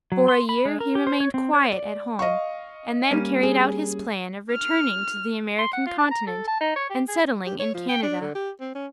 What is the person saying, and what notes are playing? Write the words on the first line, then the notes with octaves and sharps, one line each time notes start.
For a year he remained quiet at home, and then carried out his plan of returning to the American continent and settling in Canada.
F#3
C6
B5
G#3
A#4
G4
C5
C#5
C4
C#5
D5
D#5 F5 C#6
G3 A#3 C#4
G#4
F6
C6
F#5
F4
A5
A#5
A4
A5
D#4
C#5
G4
G#4
G4
C#5
F3
G5
D4
D3
G4
C4
C#4